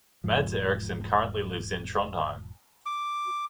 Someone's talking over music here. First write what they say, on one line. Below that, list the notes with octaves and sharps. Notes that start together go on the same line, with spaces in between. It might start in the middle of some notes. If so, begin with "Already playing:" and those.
Mads Eriksen currently lives in Trondheim.
E1 G#2 F3
D6